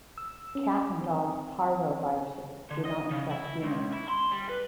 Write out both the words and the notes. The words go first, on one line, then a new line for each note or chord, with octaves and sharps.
Cat and dog parvoviruses do not infect humans.
E6
C#4
C4
D3
D#5
C#3
E4
C#2
E4
C6
G3
B4